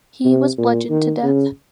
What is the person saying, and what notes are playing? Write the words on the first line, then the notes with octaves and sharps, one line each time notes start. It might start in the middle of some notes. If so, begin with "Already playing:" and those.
He was bludgeoned to death.
C3
A#2
D#3
C#3